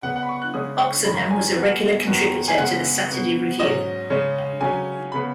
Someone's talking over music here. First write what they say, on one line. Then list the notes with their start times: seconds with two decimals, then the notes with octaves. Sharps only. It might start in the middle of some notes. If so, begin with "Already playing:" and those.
Oxenham was a regular contributor to the "Saturday Review".
0.03 C#3 B3 F#5
0.16 F#5
0.23 B5
0.29 C#6
0.42 F#6
0.54 C#3 G#3 C#4 D#6
0.79 C#6
1.04 F#2 D#3 G#3 C#4 B5
1.31 G#5
1.56 B2 F#3 B3
2.07 F#2 D#3 F#3 B3
2.48 G#5
2.57 C#3 G#3 B3 F#5
3.08 B2 B3
3.59 G#2 F#3 C#4 D#5
4.10 C#3 G#3 C#4
4.61 C#3 F#3 C#4 G#5
5.12 C#3 B3 B5